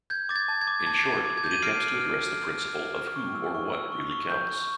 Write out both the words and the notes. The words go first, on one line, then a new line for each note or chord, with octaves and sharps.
In short, it attempts to address the principle of who or what really counts.
G6 G#6
D6 A6
G#6
A5
G#6
D6
A5 G#6
A5
G#6
D6
G#6
G6
D#7
F6 C7 D7
F6
F6
F6
F6
F6
F6
F6
C#6
E6
C#6
E6
C#6
C#6
G6
C#6